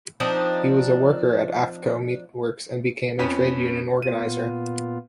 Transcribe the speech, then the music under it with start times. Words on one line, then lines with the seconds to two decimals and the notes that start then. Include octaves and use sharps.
He was a worker at Affco Meatworks and became a trade union organiser.
0.20 F3 C4 D4 D#4
3.19 F2 B3 C#4
4.02 A#2 B3 F4 D#7